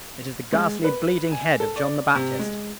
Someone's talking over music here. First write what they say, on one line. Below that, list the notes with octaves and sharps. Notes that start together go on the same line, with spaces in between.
It is the ghastly, bleeding head of John the Baptist!
G#3
B4
G#5
A4
D5
C3
G#3